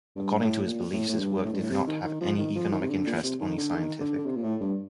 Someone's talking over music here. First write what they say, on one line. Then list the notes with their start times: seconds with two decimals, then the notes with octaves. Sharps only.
According to his beliefs, his work did not have any economic interest, only scientific.
0.16 G2
0.42 A2
0.67 A#2
0.93 A2
1.09 A2
1.19 G2
1.44 A2
1.53 G2
1.61 A2
1.70 C3
1.87 D#3
2.04 D#3
2.21 F3
2.38 D#3
2.55 F3
2.72 D#3
2.81 C3
2.90 D3
3.06 A#2
3.23 C3
3.41 D#3
3.58 D3
3.75 D#3
4.00 D3
4.18 D3
4.26 C3
4.36 A#2
4.44 A2
4.61 G2